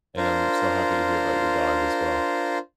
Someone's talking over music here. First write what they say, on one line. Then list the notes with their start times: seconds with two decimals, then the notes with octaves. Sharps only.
And I'm so happy to hear about your dog as well.
0.17 D4 F4 A#4 C5